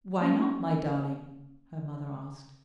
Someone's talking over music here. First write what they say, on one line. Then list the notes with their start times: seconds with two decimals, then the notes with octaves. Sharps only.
"Why not, my darling?" her mother asked.
0.20 A#3 C#4